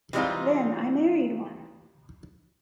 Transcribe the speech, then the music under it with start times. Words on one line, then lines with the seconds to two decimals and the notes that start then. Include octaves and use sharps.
Then I married one!
0.13 E3 G3 G#3 C4 D#4 F4